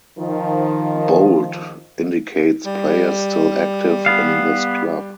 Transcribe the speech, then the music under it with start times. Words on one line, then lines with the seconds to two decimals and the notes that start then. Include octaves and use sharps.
Bold indicates players still active in this club.
0.19 D#3 F3
2.66 G3
4.06 B3 F5